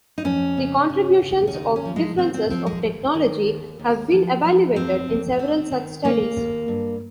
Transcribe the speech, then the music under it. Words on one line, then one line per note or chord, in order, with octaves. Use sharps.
The contributions of differences of technology have been evaluated in several such studies.
D#4
F2 C#4
C#3
C#3
C#3
C#4
D#2 D#4
C#4
F3
G#3
D#2 C4
C4
F3 C4
G#3
D#2
D#3
D#2
D#2
F3
F3
F2 C4
F2
D#2 C4
D#3
D#2 A#3
D#2
G2